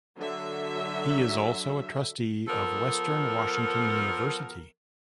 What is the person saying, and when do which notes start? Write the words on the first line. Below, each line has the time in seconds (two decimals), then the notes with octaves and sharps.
He is also a trustee of Western Washington University.
0.16 D3 F#3 E5
2.48 F3 B3 A4 A#4